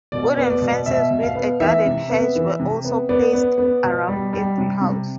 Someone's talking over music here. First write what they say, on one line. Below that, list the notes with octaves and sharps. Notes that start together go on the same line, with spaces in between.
Wooden fences with a garden hedge were also placed around every house.
B2 D5
B3
D5
B2
B2 E5
B2
F5
B3
E3 E5
C3
B3
E3
C3
B3
B3 D5
B3
B3
B2
G3
G3
C3
C3